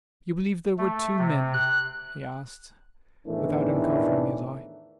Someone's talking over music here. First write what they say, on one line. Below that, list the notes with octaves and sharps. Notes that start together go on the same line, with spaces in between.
"You believe there were two men?" he asked, without uncovering his eyes.
A3
C3
F#6
E2 A2 D#3 E3 A3 D4